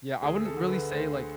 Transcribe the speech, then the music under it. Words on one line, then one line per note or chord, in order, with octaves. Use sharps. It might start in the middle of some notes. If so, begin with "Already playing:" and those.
Yeah, I wouldn't really say, like,
D2 G#4
A4
D3
B4
D2 C5